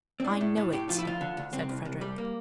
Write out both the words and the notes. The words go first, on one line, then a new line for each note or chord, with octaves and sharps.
"I know it," said Frederick.
C4
A2 D4
A2
A2
A2 G4
F3 F4
E4
D2 F4
D3
D2
C2 C4
C2
C2
G3
A#3